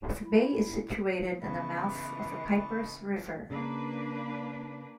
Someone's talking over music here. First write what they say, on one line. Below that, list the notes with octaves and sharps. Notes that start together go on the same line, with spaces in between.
The bay is situated on the mouth of the Pipers River.
E4
C#3 E3 B3 E4 B4 D#5 A5 C#6
C#3 A#3 D4 B4